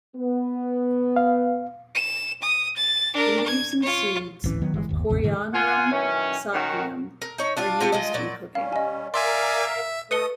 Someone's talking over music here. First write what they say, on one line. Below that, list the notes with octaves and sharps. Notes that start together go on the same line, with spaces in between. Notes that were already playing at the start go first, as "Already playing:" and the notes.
The leaves and seeds of "Coriandrum sativum" are used in cooking.
B3
F5
E7
D#6
A6
D4 A#4
G#6
F4 C#5
D1 G#1 E3 C#4
D#3 F#3 B3
G1 E3 G#3
G1 D#2
A#1 F2 C#3
G#2 D3 E3 A3
F4 F#5 G#5
F#2 D#3 E3 C#4
D#3 C#4 F#4
A#4
D#4 C#5
D4 F4 F5
C4 F4 G4 A4
G#3 F4 D#5
A#2 F#3 D5
G3 C#4 F5
D#5 G#5
A#4 D5 E5 F5 G#5 C6
E5
A3 A4 B4 D#5 D#6 C#7 G7